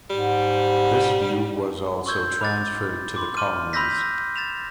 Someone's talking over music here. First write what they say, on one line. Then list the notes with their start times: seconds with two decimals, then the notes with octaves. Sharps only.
This view was also transferred to the colonies.
0.10 G#2 G3
2.06 C6 C#6 E6 G6 G#6
2.41 B5 D6 A6
3.16 B5 C6 D6
3.37 C6 D6 F6 D#7
3.73 B5 C6 E6 G6 A#6 B6
4.36 A6 A#6 E7 F7